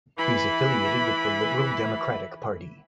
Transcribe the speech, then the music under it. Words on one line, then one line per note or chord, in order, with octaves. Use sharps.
He is affiliated with Liberal Democratic Party.
E3 B5